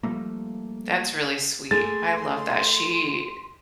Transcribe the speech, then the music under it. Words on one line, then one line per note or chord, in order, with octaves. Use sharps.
That's really sweet. I love that. She
F3 G3 A3 A#3
A3 A#3 G#4 C6 A6